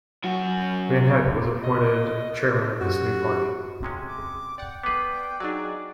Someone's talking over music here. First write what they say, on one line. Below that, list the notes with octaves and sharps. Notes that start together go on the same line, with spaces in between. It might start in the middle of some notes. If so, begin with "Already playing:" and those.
Vanhecke was appointed chairman of this new party.
F#2 F#4
D#5
F#2 F#4 G4
C3 G#3 C#4
D6
D5 F#5 G5
B3 B4 D6 C7
F#3 D4 D#4 F#4 G#4 D5